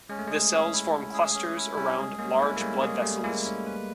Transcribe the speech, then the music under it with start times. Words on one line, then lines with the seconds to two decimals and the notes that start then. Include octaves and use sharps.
The cells form clusters around large blood vessels.
0.09 G#3 C#4
0.19 A3
0.27 G#3 G#4
0.52 C#4
0.72 E4
0.93 C#4
1.14 G#4
1.35 C#4
1.57 E4
1.77 G3 C#4
1.98 G#3 G#4
2.18 G#3 A#3 C#4
2.39 G#3 E4
2.56 A#3
2.60 G3 A3 C#4
2.81 G#3 A#3 G#4
3.02 G3 A3 C#4
3.23 G#3 A#3 E4
3.44 C#4
3.65 B4